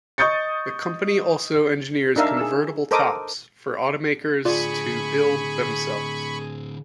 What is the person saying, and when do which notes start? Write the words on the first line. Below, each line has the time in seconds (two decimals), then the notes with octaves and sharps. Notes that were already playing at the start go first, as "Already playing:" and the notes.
The company also engineers convertible tops for automakers to build themselves.
0.18 D#5 C#6 D#6 G6 A6 C#7
2.16 D4 D#4 A#4 E5 F5
2.37 G#4 E6
2.91 A4 A#4 C5 D#5 D6 D#6
4.45 A2 D3 F4 G#4 D5 B5 C#6